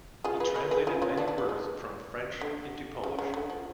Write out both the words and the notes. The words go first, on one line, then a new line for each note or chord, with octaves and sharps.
He translated many works from French into Polish.
F4 G#4
G#4 B4
G#4 B4
G#4 B4
F4 G#4
C#4 F4
B3 D4
B3 D4
B3
G#3
D3
C#3
C#3
D3
F3